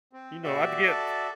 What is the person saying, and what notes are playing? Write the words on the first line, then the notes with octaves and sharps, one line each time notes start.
you know, I'd get
C4
A#2 F#4 G4 D5 E5
A4